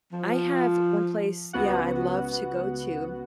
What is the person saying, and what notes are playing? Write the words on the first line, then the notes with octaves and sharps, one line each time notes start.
I have one place yeah, I love to go to.
F3
C#2 B3 F#4 F#5